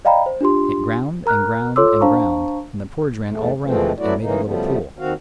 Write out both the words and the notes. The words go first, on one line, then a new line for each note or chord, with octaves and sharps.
It ground, and ground, and ground, and the porridge ran all round and made a little pool.
D5 D#5 F5 G5 A#5 B5
C5
D4 F4 G4 C6
A#4 A#5 F6 F#6
F4 A4 C#5 C6 D6 E6
D4 C5 F5 A5 A#5 C#6
E2 G#2 A3
B2 E3 F3 G#3 A3 C4
F#3 A3 B3 E4 F#4 D5
A2 C#3 E3 G#3 A#3 D#4
F#2 C#3 F3 G3 A3 B3
D#2 D#3 C4 F#4 F5